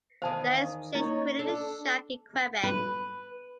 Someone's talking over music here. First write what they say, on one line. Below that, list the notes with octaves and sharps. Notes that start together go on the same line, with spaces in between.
The exchange created a shock in Quebec.
E2 D#3 C5 F5 G#5 A5 D#6
A#3 C#4 D#4 E4 C#5
D4 A4
B4